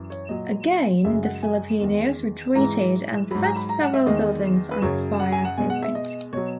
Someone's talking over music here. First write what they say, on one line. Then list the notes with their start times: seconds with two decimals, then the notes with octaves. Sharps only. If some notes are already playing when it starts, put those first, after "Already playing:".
Again the Filipinos retreated and set several buildings on fire as they went.
Already playing: F#2 E3
0.10 C#5
0.29 A#2 F#3 D#5
1.04 F#2 C#3 G#3 E5
1.23 F#5
1.43 G#5
1.80 E2 D#3 G#3
2.55 G#2 E3 G#3 A#5
3.31 G#2 F#3 B5
3.44 A#5
3.56 B5
3.69 A#5
3.81 F#5
3.94 E5
4.06 E2 D#3 G#3 D#5
4.71 B4
4.82 F#2 C#3 F#3 C#5
5.20 F#5
5.32 G#5
5.45 F#5
5.58 B2 G#3 G#5
5.70 F#5
5.83 E5
5.95 D#5
6.33 B2 F#3 C#5